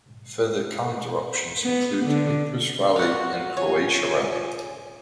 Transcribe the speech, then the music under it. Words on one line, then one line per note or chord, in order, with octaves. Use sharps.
Further calendar options included Ypres Rally and Croatia Rally.
B3
D3
F#4 F5 F#5
F4 C#5 G#5